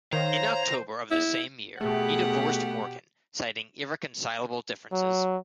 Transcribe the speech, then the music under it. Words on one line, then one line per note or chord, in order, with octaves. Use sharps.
In October of the same year, he divorced Morgan, citing irreconcilable differences.
D#3 C5 C#5 F5 A#5
E4
B2 A3 B3 G4 G#4 F#5
F#3